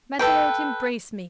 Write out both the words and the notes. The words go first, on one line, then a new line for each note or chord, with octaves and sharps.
Matelote, embrace me!
A4 B4 G5